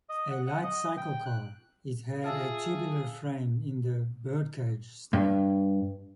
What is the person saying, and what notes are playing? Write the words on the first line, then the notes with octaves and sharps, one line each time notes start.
A light cyclecar, it had a tubular frame in the "birdcage" style.
D#5
F#5
F#5
D#5
G5
F#6
F4 G#4 E5 F5 A5 E6
G2